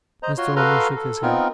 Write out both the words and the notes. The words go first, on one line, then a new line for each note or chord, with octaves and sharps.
Mr. Omer shook his head.
C5 D#5 A#5
F4 F#4 C#5 C6
F#4 A4 B4 F5 A#5 C6
A4
B3 C4 D#4 F4 A#4